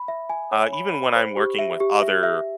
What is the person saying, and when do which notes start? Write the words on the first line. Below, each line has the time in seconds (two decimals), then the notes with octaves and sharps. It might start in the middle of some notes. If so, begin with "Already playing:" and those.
uh, even when I'm working with other,
Already playing: B5
0.08 E5
0.30 G#5
0.51 C#5
0.73 B5
0.94 B5
1.16 C5
1.37 G4
1.59 E5
1.80 G4
2.02 E5
2.23 E5